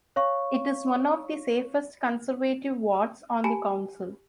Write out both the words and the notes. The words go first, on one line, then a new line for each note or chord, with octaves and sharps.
It is one of the safest Conservative wards on the council.
C#5 F5 C#6
G4 G#5 A5 B5